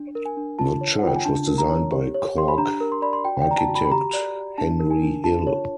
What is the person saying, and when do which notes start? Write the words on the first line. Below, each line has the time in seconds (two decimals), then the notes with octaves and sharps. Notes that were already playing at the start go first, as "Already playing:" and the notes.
The church was designed by Cork architect Henry Hill.
Already playing: D4
0.15 A#4
0.25 G#5
0.37 D4
0.59 F4 A5
0.81 C#5
0.99 F#5
1.03 F4 G5
1.16 G#5
1.25 D4 A5
1.48 A#4
1.58 A#5
1.70 C#5
1.92 G4
2.14 C#5
2.37 G4 C6
2.48 B5
2.58 D4 A#5
2.81 A#4
2.92 C6
3.02 D5 B5
3.13 C6
3.25 F#4 G5
3.42 G5
3.47 D5 A#5
3.58 A5
3.69 F#4
3.75 B5
3.85 B5
3.91 G4 A#5
4.13 D5
4.35 G4
4.58 D4 A5
4.80 A#4
4.90 G#5
5.02 D4
5.24 F4 A5
5.47 C#5